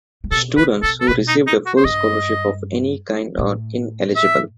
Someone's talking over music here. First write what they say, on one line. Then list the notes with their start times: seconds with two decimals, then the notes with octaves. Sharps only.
Students who received a full scholarship of any kind are ineligible.
0.24 C3
0.31 B2 A4
0.57 C3 B4
0.83 B2 A4
1.01 A4
1.08 B2 B4
1.28 D#4
1.47 D#4
1.66 F#4
1.77 C5
1.85 G2 D#5
3.39 A2
4.16 E5